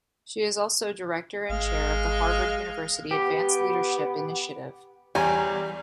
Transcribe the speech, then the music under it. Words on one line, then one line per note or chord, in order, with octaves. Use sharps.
She is also director and chair of the Harvard University Advanced Leadership Initiative.
G#1 G#3 F5
B3 G4
E2 G3 C#5 G#5 A#5